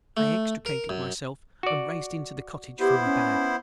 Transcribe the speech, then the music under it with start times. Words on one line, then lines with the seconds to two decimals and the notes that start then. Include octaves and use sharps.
I extricated myself and raced into the cottage for my bag.
0.17 A3
0.66 A#4
0.89 F#2
1.63 F#4 D5
2.80 B3 E4 G4 C5
3.05 C#4